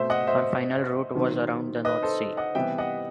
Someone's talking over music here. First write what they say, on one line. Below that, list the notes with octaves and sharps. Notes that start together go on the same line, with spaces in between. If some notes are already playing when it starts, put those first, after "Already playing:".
Her final route was around the North Sea.
Already playing: B2 A3 C4 C5 E5
D#5 F#5
C5 E5
C3 D#3 F#3 C4
B4 D#5
A4 C5
D#5 F#5
C3 E3 G3 B3 E5 G5
D#5 F#5